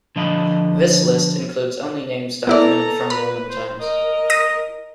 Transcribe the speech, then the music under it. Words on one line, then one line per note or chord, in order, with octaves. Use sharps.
This list includes only names documented from Roman times.
D3 F3 D#5 F5 B5
B3 E4 A4 D5 A#5
B4 B5
C5
A#4 D#5
D#6 A#6